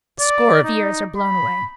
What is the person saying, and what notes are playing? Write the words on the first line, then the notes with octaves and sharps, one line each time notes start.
A score of years are blown away.
D5
D#4
B5